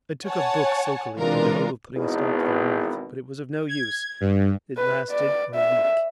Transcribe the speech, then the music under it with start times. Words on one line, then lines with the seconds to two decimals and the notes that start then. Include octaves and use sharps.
I took a book sulkily, in the hope of putting a stop to their mirth, but it was of no use: it lasted a week.
0.24 C#5 F#5 G#5 A5
1.17 C3 E3 G#3 D4 F4 A#4
1.95 G#1 E2 B2
3.69 G#6
4.21 G2
4.78 B4
5.11 D5
5.55 E5